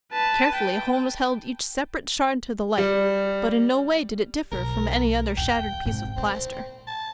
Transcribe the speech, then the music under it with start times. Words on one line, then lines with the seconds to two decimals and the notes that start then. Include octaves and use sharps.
Carefully Holmes held each separate shard to the light, but in no way did it differ from any other shattered piece of plaster.
0.13 B4 A5
0.54 G5
2.78 G3
4.52 B1 A#4
5.37 E2 A#2 G5
5.86 G#2 C3 G5
6.17 A#2 C4
6.87 A5